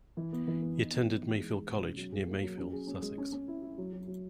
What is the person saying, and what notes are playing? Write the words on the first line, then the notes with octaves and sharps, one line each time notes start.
He attended Mayfield College near Mayfield, Sussex.
E3
B3
E3
B3
D#4
B3
D#4
E3
G#3
G#3
B2
C#4
F#3
G#4
A#3
F#3
C#4
G#4
C#4
G#3
C#4
C#4
E4
E4
F#3
F#3
F#3